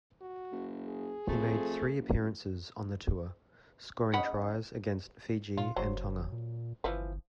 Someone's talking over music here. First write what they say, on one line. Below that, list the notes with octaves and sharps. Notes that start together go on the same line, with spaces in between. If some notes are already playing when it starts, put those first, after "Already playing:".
He made three appearances on the tour, scoring tries against Fiji and Tonga.
F#4
F#1
G#4
F2 A3
F#1
C#4 D#4 G#4 F#5 B5
A#2 F4
F#1 F#3 C5
A#2
G1 E3 F3 B4